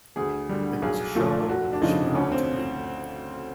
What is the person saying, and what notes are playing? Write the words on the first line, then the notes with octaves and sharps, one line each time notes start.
It was a show that she went on to win.
D2 G#4
D3 G3
B1 G#4
A#2 F3 A3
F1 F#4
D4
F2 C#3 F3 D#4
D2 C#4
C4